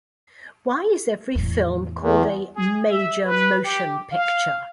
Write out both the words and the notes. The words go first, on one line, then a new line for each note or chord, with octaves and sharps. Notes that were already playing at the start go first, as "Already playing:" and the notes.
Why is every film called a "major motion picture?"
E2 A2
E2
G#4
E5
B4
G4
F5